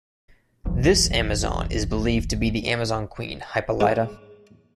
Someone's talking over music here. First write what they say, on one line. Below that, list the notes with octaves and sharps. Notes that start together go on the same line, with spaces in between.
This Amazon is believed to be the Amazon queen Hippolyta.
D1 A1 E2 F#3
G#2